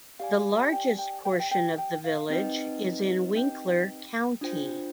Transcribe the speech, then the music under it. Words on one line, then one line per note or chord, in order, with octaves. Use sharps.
The largest portion of the village is in Winkler County.
G4 D5 F5 G#5
G5
G5
G5
F5
G5
G5
G5
F5
C4 D#4 G4 B4 D#5
G4
D4 F4 C5 G5